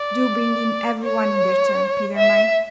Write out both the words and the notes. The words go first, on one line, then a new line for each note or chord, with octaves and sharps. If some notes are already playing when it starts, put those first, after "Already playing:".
Do bring in every one in their turn, Peter mine.
Already playing: D5
C#5
E5